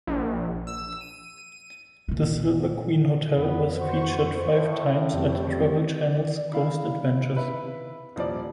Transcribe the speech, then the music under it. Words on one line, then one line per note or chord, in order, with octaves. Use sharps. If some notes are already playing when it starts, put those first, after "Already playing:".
The Silver Queen Hotel was featured five times at Travel Channel’s Ghost Adventures.
A#1
E6
D#7
A#2 D#3
F2 B3 B4
F#4 C5 C#6
A2
F2 A3 C4 C#4 G4
D5
D#3 E4 F5
B4 E5
D#1 F3 D5